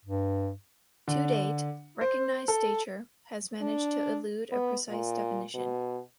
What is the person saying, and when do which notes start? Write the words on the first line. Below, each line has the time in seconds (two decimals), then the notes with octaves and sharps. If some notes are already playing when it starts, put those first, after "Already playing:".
To date, "recognized stature" has managed to elude a precise definition.
0.05 G2
1.08 D3
2.01 C5
2.48 A4
3.61 D4
4.52 B3
4.89 A#2
5.55 B2